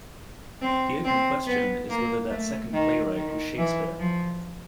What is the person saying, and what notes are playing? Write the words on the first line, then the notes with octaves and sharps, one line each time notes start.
The open question is whether that second playwright was Shakespeare.
C4
C4
B3
A#3
A3
D#3
D#3
E3
F3